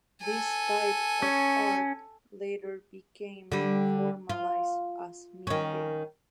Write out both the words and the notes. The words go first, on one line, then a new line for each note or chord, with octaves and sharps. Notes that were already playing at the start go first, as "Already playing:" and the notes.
This type of art later became formalised as "Mingei".
A4 G#5
C#4
D3 G3
F4
D#3 C#4